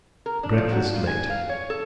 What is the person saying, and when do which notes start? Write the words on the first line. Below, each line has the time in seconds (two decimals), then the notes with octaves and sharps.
Breakfast late.
0.26 A#4
0.43 D4
0.58 F3
0.73 F#4
0.94 F4
1.07 G#5
1.30 F5
1.49 C#5
1.70 A4